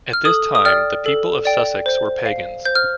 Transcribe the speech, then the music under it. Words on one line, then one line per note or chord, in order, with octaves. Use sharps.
At this time the people of Sussex were pagans.
F6
A4 D#6
D#6
D5 G5 F6
A4
D5 G5
C5
F5
C5 G6
F6